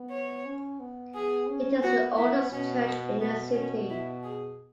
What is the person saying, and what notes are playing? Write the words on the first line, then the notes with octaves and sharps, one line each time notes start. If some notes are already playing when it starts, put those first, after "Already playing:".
It is the oldest church in the city.
Already playing: B3
C#5
C#4
B3
G#4
C#4
B3 F#4
E4
B2 C#4
B3
B2 B3
C#4
E4
G#4